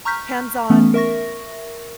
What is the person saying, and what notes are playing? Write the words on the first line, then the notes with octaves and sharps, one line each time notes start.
Hands on,
A#5 C#6 F6 G6 B6
E3 A3 B3 C#4
A#4 E5 C#6 A#6